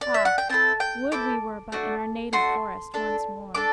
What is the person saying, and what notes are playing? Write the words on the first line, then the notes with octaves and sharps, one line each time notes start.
Ah, would we were but in our native forest once more!'
D5
E5
F#5
G5
C4 E4 A4 A5
G5
C4 E4 A4 D6
A3 D4 F#4
A3 D4 F#4 C6
D4 A4
D4 A4 D6